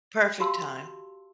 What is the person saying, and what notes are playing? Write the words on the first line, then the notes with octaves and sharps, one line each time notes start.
Perfect time.
F#4 G4 F5 A5 C6 E6